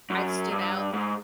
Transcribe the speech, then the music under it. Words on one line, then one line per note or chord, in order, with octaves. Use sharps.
I've stood out.
F#2
G2
G#2